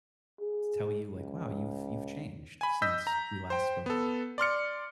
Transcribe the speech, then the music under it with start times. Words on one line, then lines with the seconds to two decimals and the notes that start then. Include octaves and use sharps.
t tell you, like, "Wow, you've you've changed since we last spoke?"
0.40 G#4
1.13 C#2
2.61 G#5 B5
2.82 D#5 E6 G6 B6
3.07 A#5
3.50 C5 G5
3.86 B3 A4
4.38 D5 C6 F6 C#7